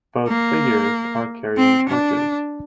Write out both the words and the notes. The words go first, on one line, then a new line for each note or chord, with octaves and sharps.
Both figures are carrying torches.
A#3
C4
D4